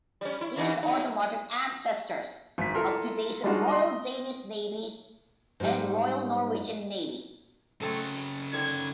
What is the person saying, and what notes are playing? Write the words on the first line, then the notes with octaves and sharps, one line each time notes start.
These are the modern ancestors of today's Royal Danish Navy and Royal Norwegian Navy.
G3 C#4
E4
D#2 E3 C#4
F#2 D#4
G#1 B6
E4 F4 A4 A#4 C6
G3 G#3 D4 D#4 F4 F#4
D#5 C6
G#2 G3
C#3 F#3 A3 C4 A4
D3 D#3 C4 G#6